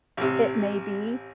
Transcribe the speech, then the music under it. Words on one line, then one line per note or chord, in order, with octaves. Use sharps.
it may be,
A1 C3